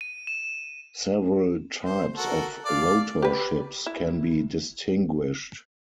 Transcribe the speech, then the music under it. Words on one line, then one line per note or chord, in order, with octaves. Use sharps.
Several types of rotor ships can be distinguished.
D#7
E7
C5
F#4 A4 A#4
D5 F5
G4 B4
E4